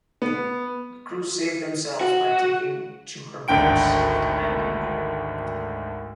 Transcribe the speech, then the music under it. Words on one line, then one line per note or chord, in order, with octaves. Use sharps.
The crew saved themselves by taking to her boats and landing there.
B3
F#4
G#1 D2 D3 G5 D7